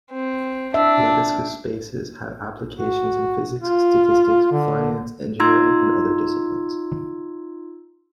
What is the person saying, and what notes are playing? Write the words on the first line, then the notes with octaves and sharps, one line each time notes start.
Lebesgue spaces have applications in physics, statistics, finance, engineering, and other disciplines.
C4
D4 E5
F#4
F4
D3
D#4 F4 A#5 C6 E6 G#6